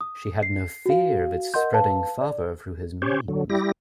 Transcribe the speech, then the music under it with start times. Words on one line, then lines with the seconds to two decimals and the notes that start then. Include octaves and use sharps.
She had no fear of its spreading farther through his means.
0.01 D#6
0.43 C7
0.86 F#4 F5
1.54 A#4 D#5 F#5 C6 G6
1.73 B4 F5 A5
2.21 D5
3.02 C#4 G4 C5 C#5
3.28 D3 F#3
3.50 G3 E4 G4 A#6